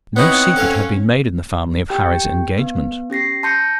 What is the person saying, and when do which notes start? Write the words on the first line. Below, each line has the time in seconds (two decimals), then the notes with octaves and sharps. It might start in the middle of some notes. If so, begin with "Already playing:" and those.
No secret had been made in the family of Harry's engagement.
0.16 B3 C4 D#4 E4 C#5 F#5
0.56 C#4 A4 C#5 F5
1.90 G4 G5
2.58 B3
3.10 C#4 G4 A#6 C7
3.43 A5 C6 G6 A#6 C#7